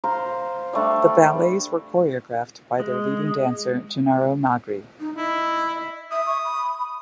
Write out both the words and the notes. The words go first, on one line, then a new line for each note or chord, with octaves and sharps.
The ballets were choreographed by their leading dancer, Gennaro Magri.
C5 F5 A#5 C6
G3 A3 D4
G#3
D#4
E4 D#5
E5 D#6
C#6
B5